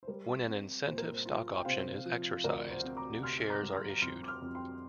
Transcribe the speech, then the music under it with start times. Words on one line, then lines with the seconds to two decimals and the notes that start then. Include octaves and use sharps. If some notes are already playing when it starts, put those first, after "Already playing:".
When an incentive stock option is exercised, new shares are issued.
0.03 C5
0.08 G3 A#4
0.46 C4
0.87 A#2 C5
0.98 A#4
1.10 C5
1.25 F4
1.56 G5
1.65 C3 C5 F5
2.05 F3
2.44 D2 A#4 D5
2.70 C5
2.84 C4
2.97 A#5 D6
3.23 C3 C6 F6
3.50 A#5 D6
3.63 G3
3.76 C6 F6
4.02 F2 C6 F6
4.23 D6
4.28 C6 F6
4.42 F2
4.55 G5 C6